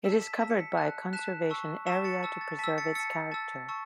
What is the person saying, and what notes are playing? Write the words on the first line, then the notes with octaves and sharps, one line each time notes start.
It is covered by a conservation area to preserve its character.
A5 E6 B6 E7
B6
A5 E6 B6
C#7
B6
A5 F#6
A5 F#6 B6 E7
A5 C#6 E6
A5 C#6 E6 B6 E7
A6 C#7
A5 E6
A6
A5 E6 B6
A6 C#7
A5 E6 A6 C#7
A5 E6 A6
A5 C#6 E6